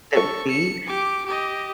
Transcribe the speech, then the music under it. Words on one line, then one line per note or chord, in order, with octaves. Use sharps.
that we need.
A4 C#6
C#7
G4 D6
G4 D#5